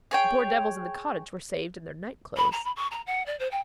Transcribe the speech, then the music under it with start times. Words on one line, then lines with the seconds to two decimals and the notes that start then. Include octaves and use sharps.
The poor devils in the cottage were saved in their night clothes.
0.11 G#4 C#5 G5
2.37 B5
2.51 A#5
2.64 B5
2.76 C#6
2.91 A#5
3.06 F#5
3.26 D5
3.39 C5
3.51 G5